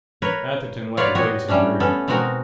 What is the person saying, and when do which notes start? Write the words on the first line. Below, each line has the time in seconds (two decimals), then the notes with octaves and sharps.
Atherton led the way to the rear.
0.22 A#4 B4 C#5
0.97 F4 F#4 B4 C#5 D5 F5
1.15 F#4 G4 C#5 D#5
1.48 G3 A3 C#4 D4
1.80 B3 C#4 A4
2.08 B2 G#3 C4 D#4 F#4 A#4